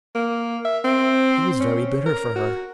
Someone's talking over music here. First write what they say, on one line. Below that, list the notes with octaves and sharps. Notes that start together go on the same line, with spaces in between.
It was very bitter for her.
A#3
E5
C4
C#4
A#4
F#4